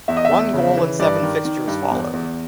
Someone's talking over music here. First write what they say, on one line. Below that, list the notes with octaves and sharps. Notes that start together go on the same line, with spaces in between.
One goal in seven fixtures followed.
E2 E5
D#5
E5
E2
C#3
E3
G2 D5
D#3
D#3
G2
E2
E2